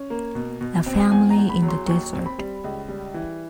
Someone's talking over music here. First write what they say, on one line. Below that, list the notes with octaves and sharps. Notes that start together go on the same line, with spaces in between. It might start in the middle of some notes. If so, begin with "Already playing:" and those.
A family in the desert.
Already playing: C#4
A#3
B2
B2
C4
E2 G#5
A#5
E2
B5
F#3
C6
D#2 C#6
C4
B5
G3
C#2
G3
E3